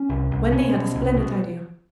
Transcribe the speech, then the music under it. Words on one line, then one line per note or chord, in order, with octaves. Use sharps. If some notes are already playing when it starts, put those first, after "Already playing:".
Wendy had a splendid idea.
Already playing: C#4
C2
C2
B2 C#4
B2
C2
B2